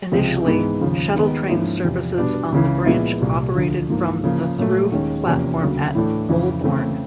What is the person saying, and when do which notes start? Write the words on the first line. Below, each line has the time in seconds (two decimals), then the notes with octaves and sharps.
Initially, shuttle train services on the branch operated from the through platform at Holborn.
0.12 C#2 C3 F3 G#3 C4
0.46 G#2 E3 G#3 B3
0.81 D#2 C#3 F3
1.15 D#2 D#3 G#3 B3 D#4
1.49 G#2 F3 A#3 C#4 E4
1.84 E2 C3 F3
2.18 B2 G3 B3 D4
2.52 C#2 C#3 E3
2.86 A#2 F3 G#3 B3 E4
3.21 C2 A#2 G3
3.55 D2 D3 F3
3.90 G#2 F3 A#3
4.24 C#3 F3 A#3
4.58 A#2 F#3 A3
4.92 D#2 D#3 G#3 C#4
5.26 E2 C3 F3 A#3 C#4
5.61 D2 C#3 F#3 A#3
5.95 A2 E3 A3 D4
6.29 F2 C#3 E3
6.64 C#3 E3 A3 C4